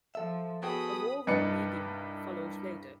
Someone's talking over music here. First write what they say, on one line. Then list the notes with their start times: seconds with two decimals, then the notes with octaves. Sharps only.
A war with Midian follows later.
0.15 F3 A4 E5
0.63 B3 F#4 G#4 A4 G5 B5 D#6
1.27 C2 G2 D#4 B4 D5 C#7